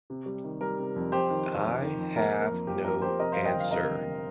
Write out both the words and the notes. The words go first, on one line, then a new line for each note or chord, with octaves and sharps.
I have no answer.
C3
G3
D#3
G3 A#4
C3
F2
F2 G4 C5
D#3
D#3
F2
D#3
F2
A#3 A#4
A#3
A#4
F2
F3 G4
F2 A#4
F2 G4 C5
C3 A#4 D#5
F2 C5 F5
D#5 G5
G1
F5
C3 A#4 D#5
G1
G1